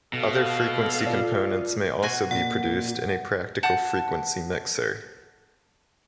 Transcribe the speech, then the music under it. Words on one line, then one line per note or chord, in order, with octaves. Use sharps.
Other frequency components may also be produced in a practical frequency mixer.
B2 A4 F5
F4 D5
B2 F#4 G#5
A#2 F#5
F#5 A5 G6